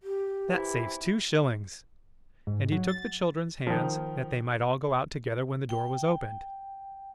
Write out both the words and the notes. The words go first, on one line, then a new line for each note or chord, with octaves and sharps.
"That saves two shillings!" And he took the children's hands, that they might all go out together when the door was opened.
G4
C3 E3 E4
G#2
F#3
A6
D#3 F3
G5